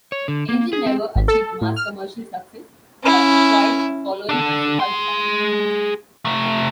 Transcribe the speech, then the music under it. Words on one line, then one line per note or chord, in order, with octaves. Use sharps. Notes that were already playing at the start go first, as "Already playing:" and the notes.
Angel never achieved mass commercial success but acquired a following as a cult band.
C#5
D3
A#3
G#4
C4
G#1
A4
A2
F6
C#4 E4
D4 A4
G#4 C6
C3 A3